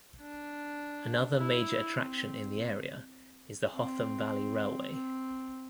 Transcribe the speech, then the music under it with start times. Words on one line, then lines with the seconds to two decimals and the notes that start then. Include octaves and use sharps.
Another major attraction in the area is the Hotham Valley Railway.
0.21 D4
1.39 E4
1.97 C4
3.74 C4
4.91 C4